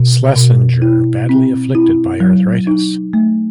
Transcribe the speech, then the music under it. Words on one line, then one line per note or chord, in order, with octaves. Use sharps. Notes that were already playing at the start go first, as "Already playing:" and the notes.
Schlesinger badly afflicted by arthritis.
Already playing: B2
B2
E4
C4
E4
F#3
D#4
A3